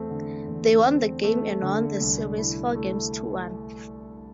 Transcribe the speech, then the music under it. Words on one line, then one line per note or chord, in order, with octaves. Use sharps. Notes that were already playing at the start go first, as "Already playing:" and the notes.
They won the game and won the series four games to one.
Already playing: E2 A3 C4
D3
E2
C4
A3
D3
C2
E4
A3